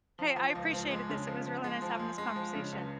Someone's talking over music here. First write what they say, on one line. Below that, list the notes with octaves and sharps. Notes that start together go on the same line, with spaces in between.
Hey, I appreciated this. It was really nice having this conversation.
F3
F3
C#2
F3
G#3
C#3
F3
F3
G#3
F3
G#3
G#3
F3
C#3
C#2